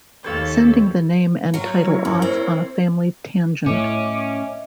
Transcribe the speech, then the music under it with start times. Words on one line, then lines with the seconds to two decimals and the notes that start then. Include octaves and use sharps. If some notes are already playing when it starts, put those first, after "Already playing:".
Sending the name and title off on a family tangent.
0.24 D#2 G4 A4 C5 C#5 F5
1.54 F#3 F4 F#4
1.84 E4 A#4 C#5
2.05 F#2
2.22 C4
3.66 A2 C#4 D#5 E5 D6